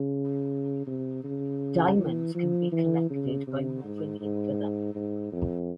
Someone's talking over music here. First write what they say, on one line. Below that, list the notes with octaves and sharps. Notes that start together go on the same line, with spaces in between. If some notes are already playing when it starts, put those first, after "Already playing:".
Diamonds can be collected by moving into them.
Already playing: C#3
C3
C#3
E3
F3
E3
C#3
C3
G#2
G#2
G#2
F2